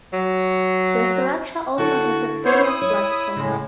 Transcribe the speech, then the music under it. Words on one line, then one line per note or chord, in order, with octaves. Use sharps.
The structure also has a famous platform.
F#3
D3 E4 F#4 A4
B3 E4 C5 C#5
D#6
C#5
A2 C#3 G#3